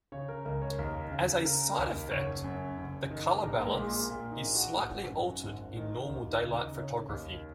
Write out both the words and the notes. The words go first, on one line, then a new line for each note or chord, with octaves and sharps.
As a side effect, the color balance is slightly altered in normal daylight photography.
C#3 C#5
A#4
C#2 A#4
C#5
D#2 A#4
C#3
C#3 A#4
D#2
F#1 C#5
F#2
F#1
D#3
A#1 A#4
A#3
G#3
A#2
A#3
A#2 A#3
D#4
A#1
F#4
G#1
F#2
G#1
D#3
D#2
D#4
C#3
D#4
C#3 C#4
D#2